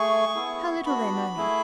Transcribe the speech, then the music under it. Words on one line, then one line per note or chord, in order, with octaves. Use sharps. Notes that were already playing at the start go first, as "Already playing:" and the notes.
"How little they know me!"
Already playing: A3 G#4 C#6
B3 E4 G#4
B3 D4 F#4 B5
A3 E4 G#4